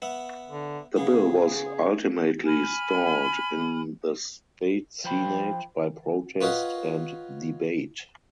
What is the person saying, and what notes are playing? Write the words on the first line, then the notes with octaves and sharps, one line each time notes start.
The bill was ultimately stalled in the State Senate by protest and debate.
B3 E5 F#5
D3
C#3 B3 G#4
G#5 B5 F6
F3 C5 G5 B5
F4 B4 C#5 D#5 F5 F#5